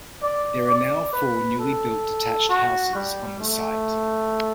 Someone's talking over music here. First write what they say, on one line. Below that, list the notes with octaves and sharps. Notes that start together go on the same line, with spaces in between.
There are now four newly built detached houses on the site.
D5
D5
B4
A4
F#4
G3
A3